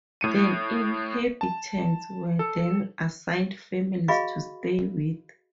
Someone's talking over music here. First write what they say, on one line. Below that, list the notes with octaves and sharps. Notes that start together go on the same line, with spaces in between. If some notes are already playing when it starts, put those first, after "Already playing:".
The inhabitants were then assigned families to stay with.
A2 C#7 D#7
A5
A4
F#4 G#4 D#5 F5 B5 C#6